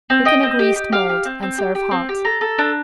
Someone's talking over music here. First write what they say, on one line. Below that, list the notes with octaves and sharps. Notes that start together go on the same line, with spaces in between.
Cook in a greased mold and serve hot.
C4
G4 D#5
C4
G4
G4
G4 F5
G4
C4
C4
G4
G4
C4
G4
A4 A#5
A4
D4